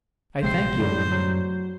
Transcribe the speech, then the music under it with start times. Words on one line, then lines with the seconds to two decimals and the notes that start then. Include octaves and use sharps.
'I thank you.
0.43 A#1 C3 G#3 C4 C5 C7
0.79 F#2 A2 D3 G3
1.12 F#3